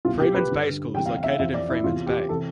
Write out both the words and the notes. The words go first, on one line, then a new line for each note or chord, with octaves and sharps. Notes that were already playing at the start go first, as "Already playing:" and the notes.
Freemans Bay School is located in Freemans Bay.
C2 B2 F4
G4
B4
G2 D3
C2 C3 E3 G5
F5
F5
E5
F5
F2 E3 E5
D5
E4
E2 C3 E3 F4
G4
C3 E3 A4